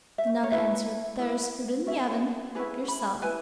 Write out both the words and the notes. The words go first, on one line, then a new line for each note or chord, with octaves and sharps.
The nun answered: 'There is food in the oven, help yourself.'
E5
C#5
E4 B4 E5
E4 B4
C#4 E4 G#4 E5
C#5
C#4 E4 G#4 B4
B5
E4 B4 G#5